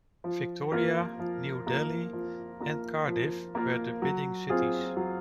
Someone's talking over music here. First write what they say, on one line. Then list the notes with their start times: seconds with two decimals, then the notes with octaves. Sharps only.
Victoria, New Delhi, and Cardiff were the bidding cities.
0.24 F3
0.72 A#3 F4 A#4
1.19 F3
1.66 A#3 F4 A#4
2.13 F3
2.60 A#3 F4 A#4
3.07 F3
3.55 A#3 F4 A#4
4.02 F#3
4.50 C4 F4 G#4
4.97 F#3